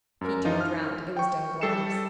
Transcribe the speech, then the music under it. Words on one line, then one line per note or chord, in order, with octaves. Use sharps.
He turned round; it was Danglars.
F#2 A#4
E3 F3 D#4 F4
F6
G5 C#6
G3 A4 C7 C#7 E7